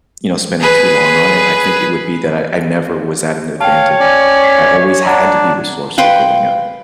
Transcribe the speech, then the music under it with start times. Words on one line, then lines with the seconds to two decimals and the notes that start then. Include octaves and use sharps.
you know, spending too long on it, I think it would be that I I never was at an advantage, I always had to be resourceful growing up.
0.60 G#4 B4
3.61 C#5 F5 G5 A5
4.00 C#4 D5
4.44 B6 C7
5.06 D4 F#5 A#5
5.98 B4 F5 G5 C6